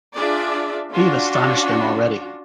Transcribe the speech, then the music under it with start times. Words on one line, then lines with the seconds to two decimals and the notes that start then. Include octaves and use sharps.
We have astonished them already.
0.16 D4 F4 G#4 D5 E5
0.92 C#4 D4 F4 F#4